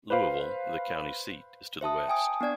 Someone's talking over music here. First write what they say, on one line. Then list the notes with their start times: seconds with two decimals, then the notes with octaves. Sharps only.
Louisville, the county seat, is to the west.
0.10 B4 C5 F5
1.81 C5 E5 A5 D#6
2.08 G5 G#5 D#6
2.41 B3 D4 D5 G#6